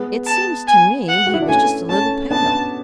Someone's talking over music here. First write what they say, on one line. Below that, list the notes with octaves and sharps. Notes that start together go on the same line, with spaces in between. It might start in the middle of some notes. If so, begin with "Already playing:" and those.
"It seemed to me he was just a little pale."
Already playing: G#3 B3
A5
G#5
F#5
F#4
E4
D4
A3 C#4 G#5
A3 C#4 A5
B3 D4 A5